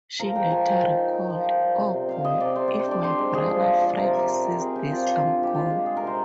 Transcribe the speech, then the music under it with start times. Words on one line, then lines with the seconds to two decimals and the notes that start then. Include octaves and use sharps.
She later recalled: "Oh boy, if my brother Fred sees this-I'm gone".
0.20 F3 A#4
0.35 G#3 G5
0.51 F3 G#5
0.67 G#3 G5
0.83 D#4
0.99 D#4
1.14 D#4
1.30 F3
1.46 G3 G5
1.62 G3
1.77 C3
1.93 C3
2.08 C3 F5
2.24 C3 D#5
2.40 C3 D5
2.56 C3 C5
2.68 C4 D5
2.79 C5
2.87 D3 D5
3.03 D3 C5
3.19 G#3
3.34 G#3 G#4
3.50 F3
3.66 F3
3.81 F3
3.97 C3 A#4
4.14 G3
4.29 C4
4.44 C3
4.60 C4 G#4
4.76 F3 G4
4.91 F3 F4
5.07 C4
5.23 D3
5.39 G#3 G4
5.54 C4 F4
5.70 G#3
5.86 G3 G#4
5.97 A#4
6.02 C3
6.07 C5